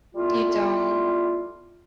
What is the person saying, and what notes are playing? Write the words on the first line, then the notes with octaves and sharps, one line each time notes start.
You don't.
G3 A3 B3 E4 F4